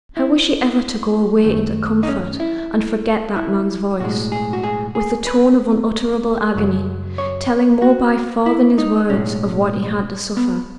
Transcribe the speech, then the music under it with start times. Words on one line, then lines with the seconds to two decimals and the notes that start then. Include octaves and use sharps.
How was she ever to go away into comfort and forget that man's voice, with the tone of unutterable agony, telling more by far than his words of what he had to suffer?
0.17 E4
1.44 F#2 D#3 A3
2.03 D#4
2.08 C#4
2.40 E4
3.36 E4
4.00 B1 A2 G#3 F#4
4.32 G#4
4.53 F#4
4.63 G#4
4.95 G#4
5.27 B4
6.55 F#2 C#3 F#3
7.18 C#5
7.82 F#4
8.46 E4
8.78 D#4
9.09 B1 A2 G#3 C#4
10.37 B3